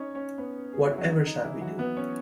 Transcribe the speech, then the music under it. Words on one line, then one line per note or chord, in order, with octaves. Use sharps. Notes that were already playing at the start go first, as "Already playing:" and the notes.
What ever shall we do?
Already playing: C#4 D#4 C#5
C#4 C#5
B3 B4
G#4
F#4
E4
F#3 F#4
D#4
D#4
E3 E4
F#3 F#4
B3 B4
C#4 C#5